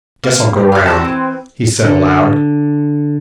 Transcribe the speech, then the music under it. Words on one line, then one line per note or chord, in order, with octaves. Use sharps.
Guess I'll go round,' he said aloud.
A#3
G4
F#4 F5
C4 F#4 G4 A4
E3
D3